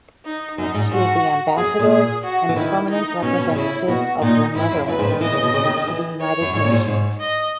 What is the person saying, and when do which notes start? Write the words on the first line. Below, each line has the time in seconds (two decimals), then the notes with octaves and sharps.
She is the Ambassador and Permanent Representative of The Netherlands to the United Nations.
0.25 D#4
0.58 F#2 D#4
0.74 G#2
0.91 G#2 F#4
1.57 F#2 G#4
1.79 A#2
1.90 G#4
2.24 F#4
2.49 E3
2.56 D#3 E4
2.89 D#4
3.22 B2 C#4
3.39 B2
3.50 B2
3.55 C#3 E4
3.88 B2 F#4
4.22 A#2 D#4
4.55 G#2 E4
4.71 F#2
4.88 F#2 B4
4.99 G#2
5.10 D#3
5.21 E3 D#5
5.32 C#3
5.43 B2
5.54 C#3
5.65 D#3
5.77 D#3
5.87 E3
6.21 C#5
6.41 F#2
6.53 G#2
6.64 A#2
6.70 G#2
6.87 G#2
7.20 D#5